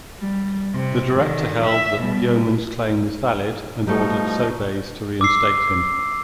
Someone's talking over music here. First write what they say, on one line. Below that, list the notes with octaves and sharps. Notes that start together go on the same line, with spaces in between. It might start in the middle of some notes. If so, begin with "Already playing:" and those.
The Director held that Yeoman's claim was valid and ordered Sobeys to reinstate him.
G3
C3
D3 D#3
E5
B2 G3
B2 F3 G3 A3 D#4
D6 E6 C7